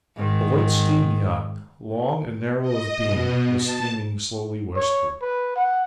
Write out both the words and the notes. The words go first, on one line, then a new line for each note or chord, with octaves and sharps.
A white steam yacht, long and narrow of beam, was steaming slowly westward.
G#2 D#3
D#5
B2
A5
C#5
B4
F#5